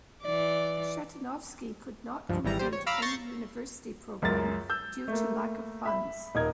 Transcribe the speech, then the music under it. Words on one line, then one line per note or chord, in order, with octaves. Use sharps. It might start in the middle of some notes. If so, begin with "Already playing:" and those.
Shatunovsky could not complete any university program due to lack of funds.
E3 D5
C#2 G2 F3
G#1 E3 G3 A#5
A1 G3 C5
C#5
F5 A#5 B5 D6 E6 F6
C#6 G6 A6 A#6 C7
C#2 F#2 A#4 A6
E6 G6
A3 A#3
E5 B5
D#1 D#4 A#4 G#6